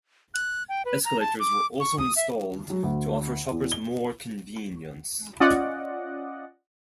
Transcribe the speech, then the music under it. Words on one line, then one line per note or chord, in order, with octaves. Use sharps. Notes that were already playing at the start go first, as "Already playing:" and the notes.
Escalators were also installed to offer shoppers more convenience.
F#6
G5
B4
A#5
A5
D6
C#6
D#6
E5
F#3
D2
E2
G7
C#4 F4 D5 D#5 F#5